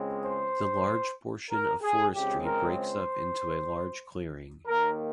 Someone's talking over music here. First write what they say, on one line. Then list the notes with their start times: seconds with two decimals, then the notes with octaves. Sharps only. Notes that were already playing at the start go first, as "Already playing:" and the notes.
The large portion of forestry breaks up into a large clearing.
Already playing: C#2 C#3 G#3 C4
0.24 C5
1.51 A#4
1.82 G#4
2.14 C#2 C#3 G#3 C4 G4
2.45 A#4
2.77 C5
4.67 D#2 D#3 A#3 A#4